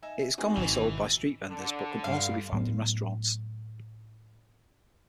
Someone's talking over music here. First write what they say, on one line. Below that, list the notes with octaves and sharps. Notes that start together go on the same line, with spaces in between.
It is commonly sold by street vendors but can also be found in restaurants.
D#4 E5 G#5
C4 D#4 F#4 G#4 D5 D#5
G#1 B2 E3
D3
G2 G3 F5
A2 F#3 B3